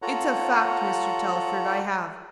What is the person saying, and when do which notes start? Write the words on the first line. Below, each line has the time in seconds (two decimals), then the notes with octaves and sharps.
It's a fact, Mr. Telford--I have.
0.02 F4 A4 C#5 F#5 A#5